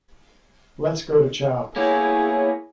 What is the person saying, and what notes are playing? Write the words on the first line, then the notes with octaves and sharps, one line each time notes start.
Let's go to chow.
A#3 B3 E4 G4 G#4 C#5